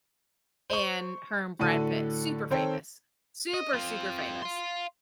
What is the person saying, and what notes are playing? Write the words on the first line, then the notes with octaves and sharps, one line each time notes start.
And her and Brad Pitt, super famous. Super, super famous,
C5 C#6
A2 D3 F#4 A4 D#7
D#3 C4 A4 C5 C#5 G5
D#5
C4 F4
F5 C6